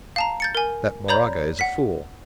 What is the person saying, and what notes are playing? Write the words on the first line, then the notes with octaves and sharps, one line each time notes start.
That Moraga is a fool!
F5 A5 A#5
G6 A6 C#7
A#4 G#5
C#5 D5 A#5 B5 G6 F#7
F#5 B6